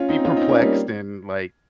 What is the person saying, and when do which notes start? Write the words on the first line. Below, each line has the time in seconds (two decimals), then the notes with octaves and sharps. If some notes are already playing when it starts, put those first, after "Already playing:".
be perplexed and, like,
Already playing: C#4 F4
0.09 C4 D#4
0.24 C#4 F4
0.36 C4 D#4
0.49 A#3 C#4
0.61 G3 A#3